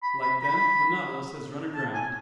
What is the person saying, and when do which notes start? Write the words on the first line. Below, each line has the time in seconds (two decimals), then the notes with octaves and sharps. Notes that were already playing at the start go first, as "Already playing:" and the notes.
"Like them, the Nautilus has run aground!"
0.02 B5
0.22 B5
0.41 B5
1.74 A5
1.94 G#5